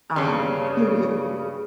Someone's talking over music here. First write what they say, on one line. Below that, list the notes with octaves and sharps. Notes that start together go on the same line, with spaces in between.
um, you you
G2 C#3